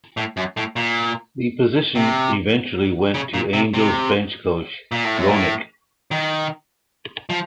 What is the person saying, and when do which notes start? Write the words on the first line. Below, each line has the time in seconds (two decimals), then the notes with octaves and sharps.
The position eventually went to Angels bench coach Roenicke.
0.17 A2
0.37 F#2
0.57 A2
0.76 A#2
1.95 C3
3.14 C#3
3.34 A#2
3.53 C3
3.74 C3
4.92 A#2
5.04 A2
5.17 F#2
5.29 A2
6.11 D#3
7.30 F3